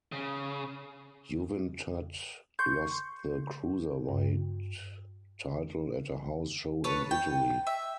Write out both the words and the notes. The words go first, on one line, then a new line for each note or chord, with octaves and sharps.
Juventud lost the Cruiserweight Title at a house show in Italy.
C#3
C6 C#6 G6
G2
B4 C#5 A5
G5
E5